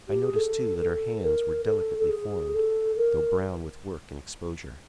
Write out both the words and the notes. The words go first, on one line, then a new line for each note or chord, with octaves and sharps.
I noticed too that her hands were delicately formed, though brown with work and exposure.
G4
G#4
A4
A4
A#4
A4
A4
G#4
A4
A#4